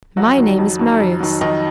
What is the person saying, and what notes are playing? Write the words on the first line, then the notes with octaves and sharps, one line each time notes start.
My name is Marius.
F2 F#3 F#4
D#3 F#3
F2
D#3 F#3
F2
D#3 F#3
F2 D#3 D#4